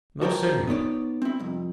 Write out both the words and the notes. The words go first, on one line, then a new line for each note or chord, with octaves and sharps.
Most certainly.
F#4 A4 A#4 C#5 D5 G5
B3 D#4 C#5 D5
C4 E4
C2 F2